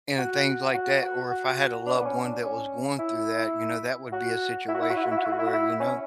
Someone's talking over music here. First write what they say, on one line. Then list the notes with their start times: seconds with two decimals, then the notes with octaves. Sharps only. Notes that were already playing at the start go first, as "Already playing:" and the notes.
and, things like that. Or if I had a loved one that was going through that, you know, that would be a situation to where, you know,
0.18 F#4
0.74 F#4
1.03 F#4
1.31 F#4
1.86 D4
1.98 B3
2.05 C#4
2.24 D4
2.43 C#4
2.99 E4
4.12 F#4
4.68 E4
4.74 F#4
4.81 E4
4.90 F#4
4.96 E4
5.04 F#4
5.11 E4
5.18 F#4
5.25 E4
5.31 F#4
5.39 E4
5.47 F#4
5.53 E4
5.80 C#4